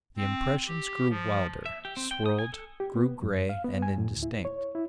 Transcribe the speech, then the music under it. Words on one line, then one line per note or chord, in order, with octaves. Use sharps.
The impressions grew wilder, swirled, grew gray and indistinct.
C4
G4
F3
E5
G4
C4
G5
D#6
G#5
A4
G4
B3
F#2
F5
B3
G#5
A2
D2
E4
C#5
E4